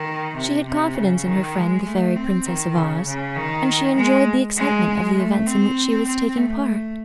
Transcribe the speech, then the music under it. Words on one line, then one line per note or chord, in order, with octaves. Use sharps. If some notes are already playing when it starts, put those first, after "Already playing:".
She had confidence in her friend, the fairy Princess of Oz, and she enjoyed the excitement of the events in which she was taking part.
Already playing: D#3
C3
C3
C#3
D#3
G#3
A3
C4
D#3
C#3
C#3
D#3
G#3
G#3
A3
C4
C4
A3